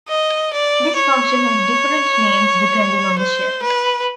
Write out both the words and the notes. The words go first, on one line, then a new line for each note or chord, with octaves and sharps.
This function has different names depending on the shell.
D#5
D5
C#5
C5
B4